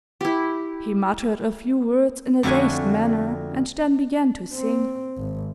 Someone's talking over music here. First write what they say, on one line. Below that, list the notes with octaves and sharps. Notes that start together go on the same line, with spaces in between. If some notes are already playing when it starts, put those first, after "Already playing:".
He muttered a few words in a dazed manner and then began to sing.
E4 G4
F2 D3 A3 F#4 C#5 G#5
C4
G#1